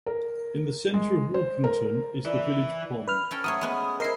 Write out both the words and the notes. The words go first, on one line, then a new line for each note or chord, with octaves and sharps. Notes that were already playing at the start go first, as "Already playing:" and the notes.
In the centre of Walkington is the village pond.
A#4
G#3
C5
A#4
E3 E4 D5
B4 F6
C#4 A4 G5
F#3 A3 C#5 D#6
G#3 B3 C#4
E4 A#4 C5 D#5 C7